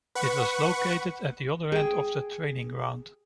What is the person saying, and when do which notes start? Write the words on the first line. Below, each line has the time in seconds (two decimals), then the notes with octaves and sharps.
It was located at the other end of the training ground.
0.15 B4 F#5 C#6
1.72 G#4 G5